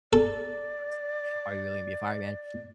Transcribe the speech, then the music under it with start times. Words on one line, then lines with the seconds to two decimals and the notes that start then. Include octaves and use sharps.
honestly, are you really gonna be a fireman?"
0.13 A4 D5